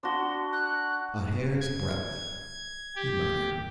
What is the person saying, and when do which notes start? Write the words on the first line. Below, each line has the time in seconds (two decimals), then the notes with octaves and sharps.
"A hair's-breadth," he muttered.
0.03 D4 F#4 C6
0.53 F#6
1.61 G#6
2.96 G4